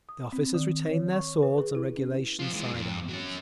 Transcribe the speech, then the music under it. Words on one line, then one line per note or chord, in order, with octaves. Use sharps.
The officers retain their swords and regulations side-arms.
D#6
C4
D#3
C#5
C#6
B4
G#4
E4
C#4
F2 F4
E3 G#3
F2
F#3 C#4